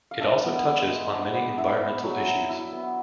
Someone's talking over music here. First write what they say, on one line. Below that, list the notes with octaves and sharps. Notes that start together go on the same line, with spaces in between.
It also touches on many environmental issues.
F5
D4 E5
B3
G#3
G#3
D4
B3
E4 E5
B3
F#3
F#3
E4
B3